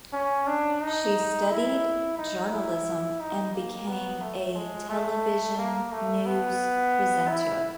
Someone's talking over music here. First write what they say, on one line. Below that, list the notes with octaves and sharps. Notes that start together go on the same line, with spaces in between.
She studied journalism and became a television news presenter.
C#4
D4
D#4
E4
D#4
E4
D#4
A#3
B3
A3
G#3
A3
A#3
A3
B3
E4